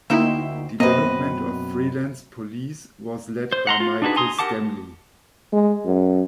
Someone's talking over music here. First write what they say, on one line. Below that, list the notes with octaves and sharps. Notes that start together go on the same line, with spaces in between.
Development of "Freelance Police" was led by Michael Stemmle.
D2 A#3 D#4 E4 E5 G5 C6
F#2 B2 A#3 C4 B4 D#5
C5
F#5 A#5 C6
F4
D4 D#4 F#4 G#4 B4
G#5 A#5 C6 D#6
G4 A#4 F#5 A5 D6
G#3
F#2